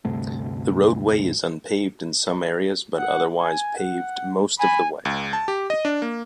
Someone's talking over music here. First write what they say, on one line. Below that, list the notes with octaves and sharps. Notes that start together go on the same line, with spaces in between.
The roadway is unpaved in some areas, but otherwise paved most of the way.
D2 G2 C3 A3
F#5
G#5
F#5
G#5 B5
C#2
A5
G4
D#5
D4
A#3